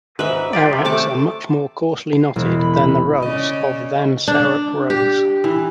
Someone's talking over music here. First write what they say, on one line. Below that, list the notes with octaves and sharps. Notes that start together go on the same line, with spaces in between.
Araks are much more coarsely knotted than the rugs of than Sarouk rugs.
G#2 B4 E5
F4 G4 D5
C3
A3 A5 D6
C7
E1
B5
B5
C#3 D5 D#5
D4
G4
E3